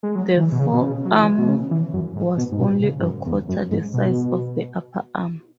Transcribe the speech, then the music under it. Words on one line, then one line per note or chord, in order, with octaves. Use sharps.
The forearm was only a quarter the size of the upper arm.
G#3
F#3
E3
B2
C#3
B2
C#3
F#3
E3
B2
C#3
E3
F#2
G#2
B2
G#2
B2
C#3
G#2
F#2
E2
F#2
G#2
B2